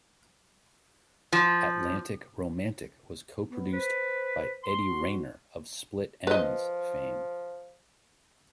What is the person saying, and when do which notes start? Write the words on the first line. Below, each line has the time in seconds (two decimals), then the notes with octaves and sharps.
"Atlantic Romantic" was co-produced by Eddie Rayner of Split Enz fame.
1.32 F3
3.50 B3
3.73 B4 C5
4.64 C6
4.85 F#4
6.27 F3 B4 D#5